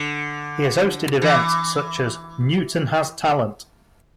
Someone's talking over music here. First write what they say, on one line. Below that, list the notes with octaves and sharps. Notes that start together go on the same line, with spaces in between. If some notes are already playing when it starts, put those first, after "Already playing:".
He has hosted events such as Newton Has Talent.
Already playing: D3
E3